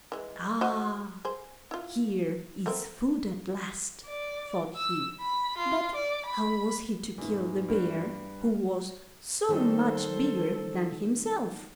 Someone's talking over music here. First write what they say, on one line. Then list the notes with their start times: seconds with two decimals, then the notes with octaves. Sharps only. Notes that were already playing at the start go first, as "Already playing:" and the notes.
'Ah! here is food at last!' thought he; but how was he to kill the bear, who was so much bigger than himself?
0.12 E3 G#3
0.61 F#4 C5 D#5
1.25 G#4 C5
1.71 E4 F4
2.66 A3 A#3 C4
4.07 D5
4.76 E6
5.21 B5
5.58 F4
5.95 D5
6.27 B5
7.18 E2 G#2
7.68 G2
9.49 A#2 D#3 G3 D#4 A4 C5